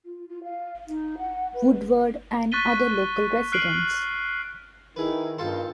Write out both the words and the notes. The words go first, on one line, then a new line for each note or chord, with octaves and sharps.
Woodward, and other local residents.
F4
F4
F5
D#4
F#5
B4
C#6 F#6 A6 B6 D#7 G7
F6 F#6 C7 D7 D#7 F#7
D#3 E4 G#4 B4
B1 G2 A#2 D#3 F4 A4 C5